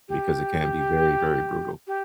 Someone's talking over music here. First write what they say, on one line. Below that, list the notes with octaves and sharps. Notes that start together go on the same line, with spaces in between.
because it can be very, very brutal.
G4
G4